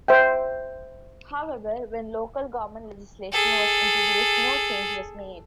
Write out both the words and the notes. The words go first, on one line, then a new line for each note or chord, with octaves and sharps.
However, when local government legislation was introduced no change was made.
C5 E5 G5
G#4 A4